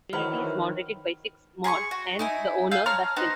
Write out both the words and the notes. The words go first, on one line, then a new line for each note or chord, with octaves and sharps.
Currently, this community is moderated by six "mods," and the owner, Dustin.
D#3 E3 F#3 C5 B5 F6
G#4 G#5 B5 C#6
F#4
D#4 E4 G#5
F5 G#5 E6 G6
C#5 A5 A#5 F6
B3 D#4 F#4 C5